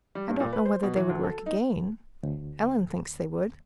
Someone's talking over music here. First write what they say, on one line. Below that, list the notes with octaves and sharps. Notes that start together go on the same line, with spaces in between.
I don't know whether they would work again; Ellen thinks they would.
G3
G2
A#2
B4
C5
B2
E3
D2
A4
D#4
D2